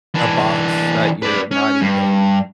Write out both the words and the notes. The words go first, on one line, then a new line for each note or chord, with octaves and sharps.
a box that you're not even,
E3 D4
B4 D5
C#4
G2